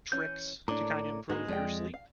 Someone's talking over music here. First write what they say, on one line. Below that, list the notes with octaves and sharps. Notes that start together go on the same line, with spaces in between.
tricks to kinda improve your sleep?
E3 C#4 G6
A2 A#3 D4 A#5 D6
G#2 G#3 A#3 F#4 B4
F2 F3 D5 G5
F5